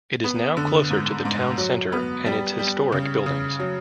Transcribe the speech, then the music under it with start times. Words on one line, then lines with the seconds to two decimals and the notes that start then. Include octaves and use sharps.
It is now closer to the town centre and its historic buildings.
0.24 B3
0.57 D3
0.91 G#2
1.25 G#2
1.58 F#3
1.92 B3
2.26 G3
2.59 G3
2.92 C#3
3.26 C#3
3.60 F#3